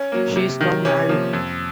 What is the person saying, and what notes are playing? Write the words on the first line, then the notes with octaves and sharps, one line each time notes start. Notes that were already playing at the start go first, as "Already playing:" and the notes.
She is now married.
Already playing: C#4
F#3 A#3
C3
D#3 F#3
C3 C#4
F3 A#3
F2